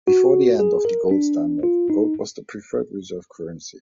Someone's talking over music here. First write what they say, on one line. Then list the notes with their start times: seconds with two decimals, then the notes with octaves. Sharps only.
Before the end of the gold standard, gold was the preferred reserve currency.
0.08 F#4
0.60 G#4
0.85 A#4
1.11 D4
1.63 F4
1.90 D#4